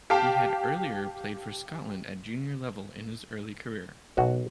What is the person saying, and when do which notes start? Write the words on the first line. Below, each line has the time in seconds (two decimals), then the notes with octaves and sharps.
He had earlier played for Scotland at Junior level in his early career.
0.10 G4 F5 G5 A5
4.17 B1 B2 F#4